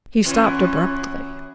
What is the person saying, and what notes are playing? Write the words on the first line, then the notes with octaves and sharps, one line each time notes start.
He stopped abruptly.
F#2 E3 C#4 F4